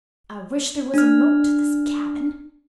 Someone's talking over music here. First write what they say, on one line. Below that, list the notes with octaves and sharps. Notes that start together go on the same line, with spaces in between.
I wish there was a moat to this cabin.
D4 F6